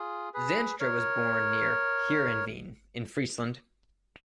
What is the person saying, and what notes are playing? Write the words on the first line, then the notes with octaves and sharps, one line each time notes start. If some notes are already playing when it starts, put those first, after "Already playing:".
Zanstra was born near Heerenveen in Friesland.
Already playing: F4 G#4
G#4 B4
A#4 C#5